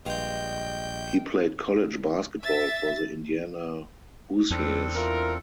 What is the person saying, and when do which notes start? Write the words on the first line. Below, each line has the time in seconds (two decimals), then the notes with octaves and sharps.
He played college basketball for the Indiana Hoosiers.
0.05 A#1 G2 G#3 D#5 F5 G5 G6
2.43 E5 A6
4.51 E2 C4 D4 A4
4.95 E4 F4 A#4